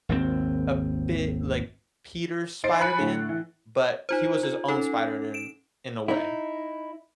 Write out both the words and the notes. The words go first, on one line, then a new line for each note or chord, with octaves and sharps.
a bit like Peter's Spider-Man, but he was his own Spider-Man in a way.
G#1 D#2 B2 C4
D#4 C5 A6 C7 D7
G#5 B5 F#6 C#7
A2 D3
E3
D#4 F4 C5
F4
C#4 D#4 A4
D7 E7
D#4 E4